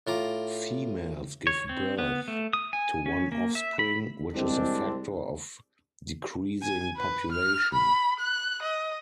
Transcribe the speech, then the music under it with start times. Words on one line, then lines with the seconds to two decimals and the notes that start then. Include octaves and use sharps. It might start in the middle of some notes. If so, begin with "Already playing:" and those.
Females give birth to one offspring, which is a factor of decreasing population.
0.07 A2 F4 A#5 D6
1.47 C#5
1.69 C4
1.98 B3
2.28 A3
2.53 D#6
2.73 G#5
3.06 C#4
3.32 A#3
3.55 E5
3.79 B5
4.35 C2 G#3 C4 D4
6.62 G#5
6.96 B4
7.32 F6
7.73 B5
8.19 F#6
8.62 D#5